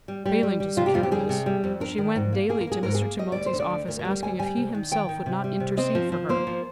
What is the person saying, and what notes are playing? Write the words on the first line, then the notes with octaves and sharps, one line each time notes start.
Failing to secure this, she went daily to Mr. Tumulty's office asking if he himself would not intercede for her.
G3
G3
G3
G3
C3 F4
G4
F2 F4
G4
G3 G#4
C3
G3
F2
D4 A#4
D#3
G#2
A#3
A#3 G#4
A#4
A#3 G#4
G#2 A#4
G#4
A#3
G3 D#5
D2 D5
C5
D3
D5
D2
D2 A#4
A#4
G3
A#4
D2 G#5
G3 G#5
C3
D#3
D#3 G5
D#3
C3
G3
C3
C4 D#5
F3
F3
A#3 C5
F3